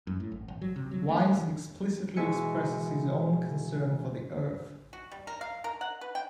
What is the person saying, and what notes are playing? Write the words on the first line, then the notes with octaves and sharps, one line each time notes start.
Wines explicitly expresses his own concern for the Earth.
F#2
A2
G#1
G#1
F#3
C3
F#3
A3
E3
B2 E3 G#3 E5 G#5 C#7
F#4
G3
A#4
F5
A#4
F#5
B4
G5